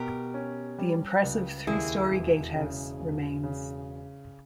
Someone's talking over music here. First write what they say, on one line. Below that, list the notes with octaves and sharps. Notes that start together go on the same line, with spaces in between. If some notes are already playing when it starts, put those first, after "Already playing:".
The impressive three storey gatehouse remains.
Already playing: B2 G4 A#4
C#4
G3
C#2
D#2 E4 G#4
E1
C#3
E1
C#3